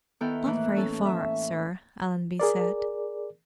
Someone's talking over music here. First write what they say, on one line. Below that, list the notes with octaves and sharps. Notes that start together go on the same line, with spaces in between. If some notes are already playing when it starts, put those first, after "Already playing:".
"Not very far, sir," Allenby said.
D#3 B3 E4 A4 G5 F6
A2 E3 A#3 F#6
C#4 A4 A5
E5
G#4 A#4 D5